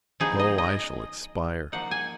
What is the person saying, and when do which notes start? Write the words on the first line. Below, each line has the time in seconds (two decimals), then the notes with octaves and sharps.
O, I shall expire!
0.20 F3 B3 D#4 G#4
0.39 D#5
0.58 D#5
1.72 F3 A#3 D#4 F#5
1.91 G#5